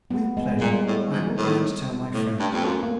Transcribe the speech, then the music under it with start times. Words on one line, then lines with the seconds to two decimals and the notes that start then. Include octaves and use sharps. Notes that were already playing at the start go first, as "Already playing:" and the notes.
"With pleasure; I will go and tell my friend."
0.11 B3
0.37 G#3
0.61 A#2 G3
0.87 A2
1.12 G#2
1.37 A2
2.14 A2 A3
2.39 G2
2.53 F2 B3
2.65 F#2
2.83 A#3